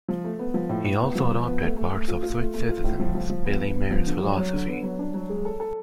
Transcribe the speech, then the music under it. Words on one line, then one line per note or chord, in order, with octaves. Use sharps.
He also adopted parts of Swiss citizen Billy Meier's philosophy.
F3
A3
B3
F3
A2
A2
B3
F3
F3
B3
A3
A3
A3
F4
F4
A3
A3
F4
A2
F3
F3
F3
B3
B3
B3
F3
D3
F#3
F#3
D3
B3
F#3
D4
F#3
G#3
A4
A4